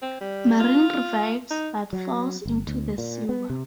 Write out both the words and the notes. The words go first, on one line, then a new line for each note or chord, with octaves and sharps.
Marin revives, but falls into the sewer.
C4
G3
F4
D#4
F#3
G1
D2
A#2
B3
C3